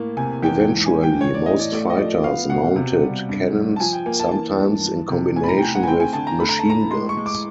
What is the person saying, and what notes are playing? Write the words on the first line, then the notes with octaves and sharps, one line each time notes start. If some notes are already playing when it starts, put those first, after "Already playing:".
Eventually, most fighters mounted cannons, sometimes in combination with machine guns.
Already playing: A2 A#3
C3 G#5
E2 G5
G#2
G#5
E3
G5
E3 C#5
D5
A2 D#5
D5
A3 D5
D#5
F3 D5
B3 F5
B2 F#5
C3
G3
G2
G2
A5
F3 G#5
G5
A#3 G#5
A5
E3 A5
G2
E3
C3
A2 G#5
B5
A#5
G5
A2 G#5
F#5
G#5
C4 G5
G#5
D3 A5
A#5
A3 B5
A#5
A5
A2 A#5
G#3 C6
C#6
G#3
D6